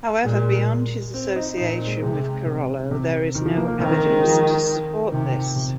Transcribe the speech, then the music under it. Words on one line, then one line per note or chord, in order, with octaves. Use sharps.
However beyond his association with Carollo there is no evidence to support this.
A#2 G#3
C4
D#4
A#2 D#4
C4
G#3
C3 G#3
C3
C3
D#3
F3
A#3
A#3
D#3 C4
C4
G#3
F3
C3 D#3
C3